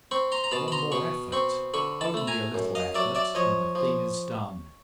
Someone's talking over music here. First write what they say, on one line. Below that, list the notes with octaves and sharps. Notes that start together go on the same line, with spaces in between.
One more effort, only a little effort, and the thing is done.
C4 B5 C#6
A#5 C6
A#5
B2 A5 B5
B5
A#5 C6
B2 B5 C#6
C4 B5 C#6
D3 B5 C#6
A5 B5
A3 B5
G#5 A#5
F#2
D#5 F5
F#3 D5 E5
D5 E5
F3 C#5 D#5
F3